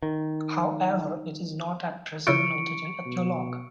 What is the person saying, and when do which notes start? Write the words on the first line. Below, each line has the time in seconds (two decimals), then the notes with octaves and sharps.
However, it is not at present noted in "Ethnologue".
0.03 D#3
2.27 C#3 E3 E4 F4 C#6 C#7 D7
3.06 B2